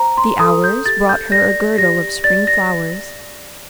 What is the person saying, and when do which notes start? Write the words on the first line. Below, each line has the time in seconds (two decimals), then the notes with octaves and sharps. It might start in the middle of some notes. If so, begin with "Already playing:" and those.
The Hours brought her a girdle of spring flowers.
Already playing: C5 A#5
0.17 C6
0.40 A4 D#6
0.64 G6
0.86 G4 A6
1.09 G6
1.32 D5 A#6
1.78 G4 A#6
2.24 D5 A6
2.47 A#6